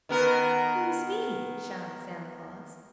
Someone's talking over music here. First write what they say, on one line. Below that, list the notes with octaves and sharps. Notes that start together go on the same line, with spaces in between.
"Who's me?" shouted Santa Claus.
D#3 B3 A#4